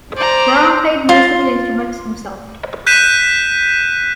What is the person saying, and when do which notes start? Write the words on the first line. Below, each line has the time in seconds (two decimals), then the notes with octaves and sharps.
Brown played most of the instruments himself.
0.17 C5 D5 A#5
1.09 F4 C6
2.87 F#6 G6 B6 D#7 E7